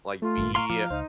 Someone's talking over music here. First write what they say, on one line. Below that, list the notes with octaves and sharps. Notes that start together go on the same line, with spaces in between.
like be
A3 F4
G#1 G2 A#2
F5 A#5 C6 C#6
F3 F5 D6
C#2 D#4 C5